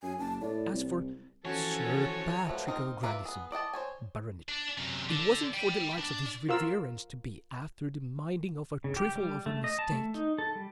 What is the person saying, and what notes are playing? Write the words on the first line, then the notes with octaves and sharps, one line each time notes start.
As for Sir Pathrick O'Grandison, Barronitt, it wasn't for the likes of his riverence to be afther the minding of a thrifle of a mistake.
F#2 G#5
F#1 A5
A2 D5
C2
E3 F3 C#4 F#4 A4 C#5 G#5 A5
F3 F#3 A3 B4
C4 D#4 A#4 C5
F4 A#4 B4 D5 E5
B3 G#4
D5 D#5 F#5 A5
C5 C#5 G#5
D4
F#2 C3
D3
G5 B5
D4
F4 A#4 E6
C#3
G4
G3
A3
D#5
A5
A3
D#4
A4
G3